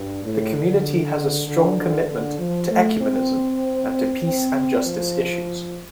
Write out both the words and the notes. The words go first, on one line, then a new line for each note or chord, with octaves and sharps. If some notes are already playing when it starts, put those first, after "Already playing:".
The community has a strong commitment to ecumenism and to peace and justice issues.
Already playing: G2
A2
D3
D3
D3
D3
F3
A3
C4
C4
F3